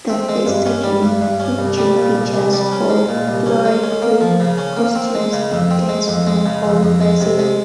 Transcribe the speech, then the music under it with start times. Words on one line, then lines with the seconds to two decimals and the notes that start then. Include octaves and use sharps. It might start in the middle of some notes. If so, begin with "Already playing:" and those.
The "Festa Junina" each June features folkloric food, costumes, and dance from old Brazil.
0.10 C4
0.29 G#3
0.46 G2
0.66 C#4
0.84 G3
1.03 G2
1.21 G2
1.40 C#4
1.59 C2
1.78 G3
1.97 A#2
2.15 C2
2.34 C2
2.53 G3
2.72 C#4
2.90 G#3
3.09 A#2
3.28 C2
3.46 C#4
3.65 G#3
3.83 C#4
4.02 A#3
4.21 F3
4.40 C#3
4.58 C#4
4.77 A#3
4.95 C4
5.15 G#3
5.33 C#3
5.52 F2
5.71 C4
5.89 G#3
6.08 F2
6.27 G#3
6.46 C#3
6.64 F2
6.83 F2
7.01 G#3
7.21 C3
7.39 G#3